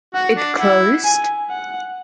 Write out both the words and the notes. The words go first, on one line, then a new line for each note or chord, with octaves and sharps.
It’ closed?
F#4 F#5
D4
E4 F#5
G#5
F#5